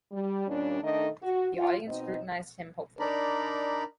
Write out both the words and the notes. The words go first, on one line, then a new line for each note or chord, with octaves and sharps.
The audience scrutinized him hopefully.
G3
D#2 A#2 G3 C#4 D4
D#3 A3 D4 D#4 A4 D#5
F#4
F4
B2 C4 D#4 D#5
D4 D#4 A#4 D5 A#5 B5